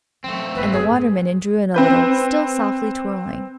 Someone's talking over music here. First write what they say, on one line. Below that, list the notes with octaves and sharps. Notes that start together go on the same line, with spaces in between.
And the Water-midden drew in a little, still softly twirling.
F#3 A3 C4
G1 A2 B4
G#4
C4 B4 G6